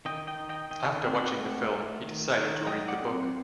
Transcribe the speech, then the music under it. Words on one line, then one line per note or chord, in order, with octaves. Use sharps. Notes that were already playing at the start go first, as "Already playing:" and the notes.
After watching the film, he decided to read the book.
D#3 D#5 G5
D#5 G5
D#3
D#5 G5
D#3 D#5 G5
C4
D5 F#5
A3
A3
D#3
D#3
F#3 D#5 G5
D5 F#5
C4